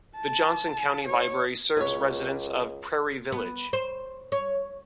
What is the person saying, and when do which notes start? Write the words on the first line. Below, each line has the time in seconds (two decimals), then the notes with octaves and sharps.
The Johnson County Library serves residents of Prairie Village.
0.17 A5
1.08 C#5
1.77 C#2 B4 C#5
3.32 B3
3.73 C5
4.32 C#5